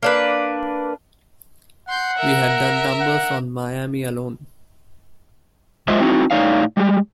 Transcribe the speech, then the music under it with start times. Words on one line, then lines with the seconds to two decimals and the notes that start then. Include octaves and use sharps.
We had done numbers on Miami alone.
0.03 A#3 D4 B4
1.89 F#5 C6 G6
2.18 A#4 E5
3.00 F#5
5.88 F#3 G#3 F4 C5 D#5 E5
6.01 C4 D#4 E4 F#4
6.31 A2 D#4 C#5 D5 F5
6.77 G3 G#3 G4